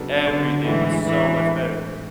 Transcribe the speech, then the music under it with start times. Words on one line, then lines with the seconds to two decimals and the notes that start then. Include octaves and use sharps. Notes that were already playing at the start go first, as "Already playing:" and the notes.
Everything was so much better,"
Already playing: C#3 F#3 B3 D4 A4
0.27 D3
0.66 A2 E3 G#3 B3 D4
1.05 E3